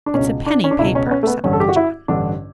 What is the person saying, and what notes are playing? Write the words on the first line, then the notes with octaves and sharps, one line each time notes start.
"It's a penny paper," said Uncle John.
D4
C#2 B2 C#4
D4
C#4
D4
C#2 B2 E4
C#4
B3
C#4
A3
B3
A1 G2 D3 C#4
A4
G4
F#4
E4
A1 G2 D3 D4